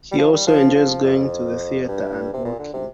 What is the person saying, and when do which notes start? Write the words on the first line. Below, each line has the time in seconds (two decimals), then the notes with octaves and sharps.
He also enjoys going to the theatre and walking.
0.11 G3
0.18 F3
0.32 G3
0.47 F3
0.75 F3
1.03 F2
1.84 F2
1.88 G2
2.33 C3
2.45 A#2
2.59 D3
2.73 C3